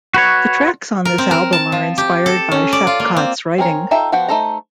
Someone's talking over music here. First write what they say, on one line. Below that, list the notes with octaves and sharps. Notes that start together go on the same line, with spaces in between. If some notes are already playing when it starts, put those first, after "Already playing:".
The tracks on this album are inspired by Shapcott's writing.
F#4 B4 C#5
A#4
C4
A#4
A5
F3
G4
A4
C#4
D5
F4
A#3
C4
C4 G#4 A#4 C#5
D#4 F4 A4 E5 G5
F3 B3 F#4 G5 B5
A3 D#4 A4 C5 A#5